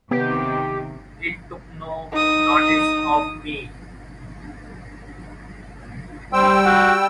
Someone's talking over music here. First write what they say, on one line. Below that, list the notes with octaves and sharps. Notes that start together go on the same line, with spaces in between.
It took no notice of me.
C3 D#3 B3 G4
D#4 D#6
G3 C5 G5 E6
F#4